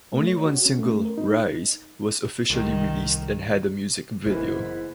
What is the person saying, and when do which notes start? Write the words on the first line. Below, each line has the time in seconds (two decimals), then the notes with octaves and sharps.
Only one single, "Rise", was officially released and had a music video.
0.13 A3
0.27 C#5
0.45 F#4
0.66 C#4
0.79 A3
1.05 A#4
1.18 D#4
2.50 C2 D#3
4.25 F#1 G#2 E3 A#3 B3 E4